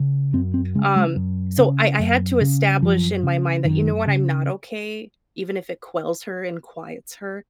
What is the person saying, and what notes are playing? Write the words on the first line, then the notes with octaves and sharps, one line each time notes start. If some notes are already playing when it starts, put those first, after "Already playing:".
Um, so I I had to establish, in my mind, that, "You know what, I'm not okay, even if it quells her, and quiets her,
Already playing: C#3
F#2 C4
C4
C#3 G#3
G#3
F#2
C#3
F#2
C#3
F#2 F3
C#3
F#2 D#3
C#3